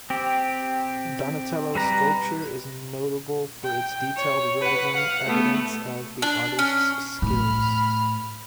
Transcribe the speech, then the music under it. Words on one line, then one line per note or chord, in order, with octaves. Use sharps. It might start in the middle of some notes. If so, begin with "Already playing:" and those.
Donatello's sculpture is notable for its detailed realism, evidence of the artist's skills.
C4 G4
G3 B4 A#5
G5
C#5
B4 F#5
F5 F#5
A3 B3
D4
C#4
A2 B5 F6